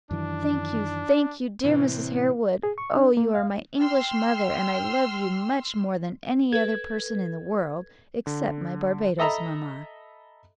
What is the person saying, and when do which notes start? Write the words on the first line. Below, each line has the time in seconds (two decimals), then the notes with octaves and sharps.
"Thank you, thank you, dear Mrs. Harewood! oh, you are my English mother, and I love you much more than any other person in the world, except my Barbadoes mamma."
0.11 F#2 D#3 E3 D4
1.64 A2 C3 E3 C4
2.63 G#4
2.78 C#6
2.95 D4
3.17 A#3
3.35 F5
3.79 G5 C6 E6 F6
6.53 A4 B4 G#6
8.27 D3
9.19 A4 D#5 E5 A#5 B5